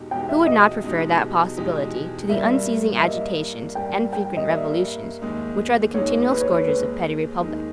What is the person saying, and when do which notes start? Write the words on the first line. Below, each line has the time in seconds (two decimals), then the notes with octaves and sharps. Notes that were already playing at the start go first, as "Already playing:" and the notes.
Who would not prefer that possibility to the unceasing agitations and frequent revolutions which are the continual scourges of petty republics?
Already playing: E2 B2 G#3 D#4 G4
0.11 E2 B2 G#3 D#4 G4 G5
0.29 E5
0.47 D#5
0.84 E2 B2 G#3 D#4 G4
1.57 E2 B2 G#3 D#4 G4
2.29 G2 G3 A#3 E5
2.98 E5
3.03 G2 G3 A#3 D#5
3.75 G2 G3 A#3 G5
4.13 G5
4.37 D#5
4.49 G2 G3 A#3 E5
5.22 D#2 D#3 G#3 D#4
5.94 D#2 D#3 G#3 D#4 C#5
6.31 B4
6.41 C#5
6.51 B4
6.68 D#2 D#3 G#3 D#4
7.40 D#2 D#3 G#3 D#4